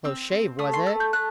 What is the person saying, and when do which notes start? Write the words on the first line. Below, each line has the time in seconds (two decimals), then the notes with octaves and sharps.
"A close shave, was it?"
0.04 C4 E6
0.32 C4
0.59 A3 D#6
0.74 C6
0.86 A3 E6
1.00 G6
1.13 A3 F#6